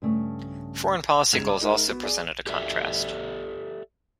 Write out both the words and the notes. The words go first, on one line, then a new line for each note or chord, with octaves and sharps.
Foreign policy goals also presented a contrast.
G2 C#3 A3
D#1 G#2 C#3 G#6 E7 F7
D5 D6
G#3 D#4 G#4 A#4 E5
B3 F#4
G#4 D5
G4 A4 D5 E5